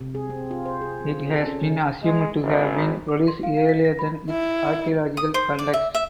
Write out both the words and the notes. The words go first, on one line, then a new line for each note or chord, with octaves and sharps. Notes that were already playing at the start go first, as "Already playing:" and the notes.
It has been assumed to have been produced earlier than its archaeological context.
C3
G#4
C4
F4
C5
G#4
C4
G#4
A4
C#4
D3
G#3
G#1
D6
C6
F5
F5
B6
A#6
B5
E4
D#6
C5
D5
E5
E5